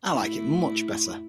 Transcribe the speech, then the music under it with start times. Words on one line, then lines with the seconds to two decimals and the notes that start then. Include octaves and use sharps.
I like it much better.
0.13 A2 E4